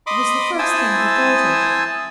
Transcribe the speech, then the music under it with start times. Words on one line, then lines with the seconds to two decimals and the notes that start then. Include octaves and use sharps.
It was the first thing he thought of.
0.07 D#5 B5 C6 D6 D#6
0.59 E4 C5 G#5 A5 D#6 E6